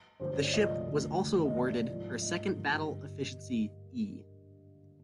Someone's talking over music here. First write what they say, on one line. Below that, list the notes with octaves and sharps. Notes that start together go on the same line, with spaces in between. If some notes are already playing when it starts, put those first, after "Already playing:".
The ship was also awarded her second Battle Efficiency "E".
G2 D3 F#3 A3 C5
C#5
D5
C#2 C3 F3 A3 D#5
D2 D3 F#3 A3
F#2 D#3 G#3
D#5
D2 C3 E3 G3 A#3 D5
G#2 F3 A3
G#2 F3 A3 D#5
G2 D3 G3 A#3